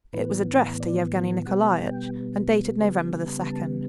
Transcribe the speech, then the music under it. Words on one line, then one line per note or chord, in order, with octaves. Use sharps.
It was addressed to Yevgeny Nikolaitch and dated November the second.
A2 E3 B3 B4
D5
B2 G3 B3 F#5
G5
C#3 G3 B3
A5